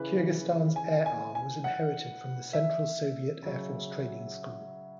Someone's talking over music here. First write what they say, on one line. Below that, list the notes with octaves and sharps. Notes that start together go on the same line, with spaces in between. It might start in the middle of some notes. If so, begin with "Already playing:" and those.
Kyrgyzstan's air arm was inherited from the central Soviet air force training school.
Already playing: C#3 E3 B4
G#5
G#5
G#5
F#5
E5
C#3 F#3